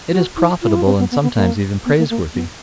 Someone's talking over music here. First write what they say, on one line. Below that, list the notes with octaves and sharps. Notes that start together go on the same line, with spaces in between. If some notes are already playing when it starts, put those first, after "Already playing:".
It is profitable and sometimes even praiseworthy.
F#4
E4
F4
E4
F4
C4
B3
B3
B3
A#3
B3
A#3
A#3
B3